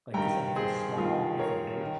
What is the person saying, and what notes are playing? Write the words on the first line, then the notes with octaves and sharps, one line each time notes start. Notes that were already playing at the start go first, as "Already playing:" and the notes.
Like, just anything small, anything big?
G2 D#3 G5 A#5
G#4 C5
G2 D#3 F4 G#4
A#4 C#5
D#3